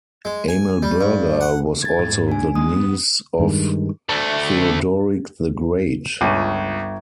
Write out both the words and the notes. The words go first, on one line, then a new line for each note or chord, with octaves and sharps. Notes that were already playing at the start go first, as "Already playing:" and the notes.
Amalberga was also the niece of Theodoric the Great.
G#3
G#5
G3
G2
F#5
G#6 A6
G#2
D4 G#5
G#3 D#6
B3
G2 D#3 G#3
D2 A3
G1 C#2 D#7